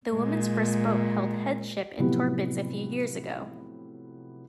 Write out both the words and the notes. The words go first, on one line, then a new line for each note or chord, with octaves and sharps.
The women's first boat held headship in Torpids a few years ago.
A#2 G#3
A2 C3 F3 F#3 B3 G4